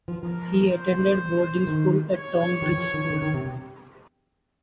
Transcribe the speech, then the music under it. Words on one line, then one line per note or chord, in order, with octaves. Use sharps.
He attended boarding school at Tonbridge School.
F3
F3 A#4
C5
D#3
C#5
D#3
F3
D#3
D#3
D#3
C3
C3